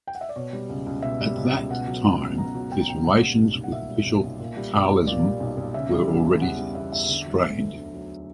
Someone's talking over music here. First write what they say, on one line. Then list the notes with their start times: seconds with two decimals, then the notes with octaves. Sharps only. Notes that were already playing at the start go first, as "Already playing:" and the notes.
At that time his relations with official Carlism were already strained.
0.07 G5
0.15 F#5
0.21 E5
0.29 D5
0.36 B2 C#5
0.53 G3
0.69 C#2
0.86 C#2
1.02 B2 E5
1.21 G3
1.36 C#2
1.53 C#2
1.70 B2 F#5
1.87 F#3
2.04 C#2
2.21 C#2
2.38 B2 A#5
2.55 F#3
2.71 C#2 G5
2.81 A#5
2.89 C#2 G5
3.04 A#2 F#5
3.22 G3
3.38 B1
3.55 B1
3.64 F#5
3.72 A#2 E5
3.89 G3
4.06 B1
4.23 B1
4.40 A#2
4.57 G3
4.73 B1
4.90 B1
5.07 A#2 D5
5.24 G3
5.40 B1
5.57 B1
5.74 C#3 E5
5.91 G3
6.08 E2
6.25 E2
6.41 C#3 F#5
6.58 G3
6.75 E2 E5
6.92 E2 E5
7.09 D3
7.26 F#3
7.42 D2
7.59 D2
7.76 D3
7.94 F#3